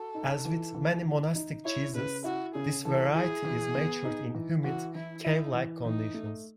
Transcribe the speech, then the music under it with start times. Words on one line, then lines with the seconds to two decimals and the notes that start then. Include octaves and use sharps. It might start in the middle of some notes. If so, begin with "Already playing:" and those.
As with many monastic cheeses, this variety is matured in humid cave-like conditions.
Already playing: F#4 A4
0.15 D#4
0.45 E3
0.75 E3
1.05 E3
1.35 D#4
1.65 E4 C#5
1.95 C#3 B4
2.24 E4 F#4
2.55 C#3 G#4
2.85 E3 A4
3.15 E4 G#4
3.45 E3
3.75 B3
4.05 D#4
4.35 E3
4.64 E3 F#4
4.95 E3 E4
5.25 D#4 E4
5.54 E3
5.84 E3 D#4
6.14 A3